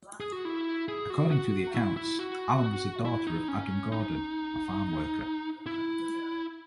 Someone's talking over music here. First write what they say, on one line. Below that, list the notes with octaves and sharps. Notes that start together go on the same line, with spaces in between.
According to the accounts, Allan was the daughter of Adam Gordon, a farm worker.
G#4
F#4
E4
G#4
F#4
F#4
E4
E4
F#4
E4
D#4
C#4
D#4
E4